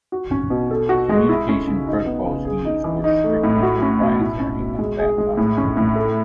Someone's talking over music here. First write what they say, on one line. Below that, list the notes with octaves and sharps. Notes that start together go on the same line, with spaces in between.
The communication protocols used were strictly proprietary at that time.
F#4
C#4
B2
A4
F#4
G#3
E4
C#4
C#3
D#4
B3
C#3
G#4
D#4
E3
D#4
A3
A2
F#4
C#4
B2
E4
C#4
B2
G#3
G#4
G#3
A2
C#4
A2
A4